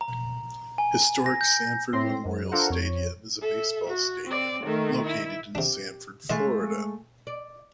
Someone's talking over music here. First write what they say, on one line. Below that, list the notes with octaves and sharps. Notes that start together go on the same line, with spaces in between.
Historic Sanford Memorial Stadium is a baseball stadium located in Sanford, Florida.
A#5
G#5
A#6
G6
A2 C4 C6 A#6
F#2
D4 F4 A4 A#4 C5 F#5
F2 C#5
A4 E5
F#4
C4 D5
D#3 A3
E4
C3 D4 G4
G#3 A3 E4 D#5 F5
D5